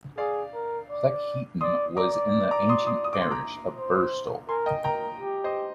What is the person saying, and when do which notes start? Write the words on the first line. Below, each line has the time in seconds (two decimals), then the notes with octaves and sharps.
Cleckheaton was in the ancient parish of Birstall.
0.18 G#4 D5 F5
0.54 A#4
0.90 D5
1.61 D5 C6 D#6
1.97 D5 A#5 D6
2.51 A#5 D6
2.69 C6 D#6
2.87 C6 D#6
3.04 D#6
3.13 D6
3.22 C6
3.31 A#5 D6
3.76 C5
4.49 A#4 G#5 C6
4.66 D#5 G5
4.84 A#4 G5 A#5
5.20 G4
5.44 C5 D#5